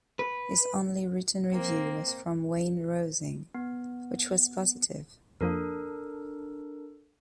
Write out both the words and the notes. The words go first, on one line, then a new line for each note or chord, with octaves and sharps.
His only written review was from Wayne Rosing, which was positive.
B4
A#3 C4
B3
F2 F3 A#3 D4 A4 A#4